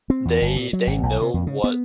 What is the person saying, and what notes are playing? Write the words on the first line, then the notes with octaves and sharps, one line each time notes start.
they they know what
C4
E2
G1
A#2
F#3
G#1
B1
C3
F2
C#3
B3